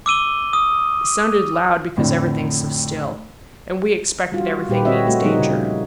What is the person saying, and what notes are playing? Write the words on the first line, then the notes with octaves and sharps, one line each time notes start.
It sounded loud because everything's so still, and we expect that everything means danger.
D6 E6 D#7 G7
D#6
F2 A2 D3
G3 F4 F#4
A#2 G3 G4 B4
C4 F#4 C#5 D#5 E5
A3 F#4
F3 G3 A#3 D#4 G#4
C#3